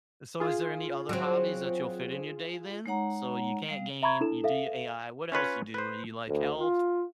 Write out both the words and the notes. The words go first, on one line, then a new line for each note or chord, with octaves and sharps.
Uh, so is there any other hobbies that you'll fit in your day then? So you can't game, you do your AI, what else you do? Well you like health?
F4 G#4
F#3 C4
G#3 D#4 C#5 F#5 A#5
G3 F5
E5 A#5 B5 C#6 G#6
D4 E4 A4 E7
A4 E5 F5
C#4 F4 B4 C#5
B4 C5
D2
F4